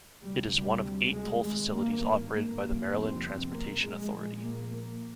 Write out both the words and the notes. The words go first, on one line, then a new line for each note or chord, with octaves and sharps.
It is one of eight toll facilities operated by the Maryland Transportation Authority.
D2 C3 G3
G3
G#3
G#1 G2 G#3
A#3
A#3
G1 F2 C3
C4
A#3
A#1 A#2 G#3
A#3
A#3